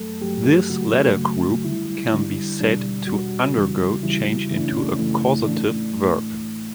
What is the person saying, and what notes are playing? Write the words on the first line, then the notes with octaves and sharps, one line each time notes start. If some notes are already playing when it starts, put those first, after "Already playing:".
This latter group can be said to undergo change into a causative verb.
Already playing: G2 F#3 A3 A4
G2 F#3 A3 G4
F#2 C#3 F#3 A3 F#4
F#2 C#3 F#3 A3
E2 D3 G3 E4
E2 D3 G3 D4
E2 B2 G3 D4
E2 B2 G3 F#4
E2 C#3 E3 G3
E2 C#3 E3 G3 E4
F#2 C#3 E3 A3 E4
D4
C#4
D4
F#2 C#3 E3 A3
A2 E3 A3 D4